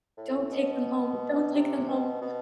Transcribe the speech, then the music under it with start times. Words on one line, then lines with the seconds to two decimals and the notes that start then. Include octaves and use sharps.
"Don't take them home, don't take them home."
0.17 A2
0.52 B2
1.54 C3
1.88 B2
2.22 B2